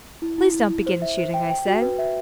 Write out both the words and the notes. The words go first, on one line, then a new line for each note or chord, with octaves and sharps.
'Please don't begin shooting,' I said.
E4
E4
E4
E4
C5
E5
C5
G5
G5
F#4
B4
E5